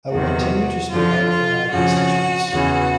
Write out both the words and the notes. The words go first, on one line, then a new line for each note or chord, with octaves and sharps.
I will continue to speak up for my constituents.
E2 C3 D#3 F#3 F#4
F2 D3 F3 F4
F4
F2 C#3 F3 F#4
E2 C#3 E3 F#4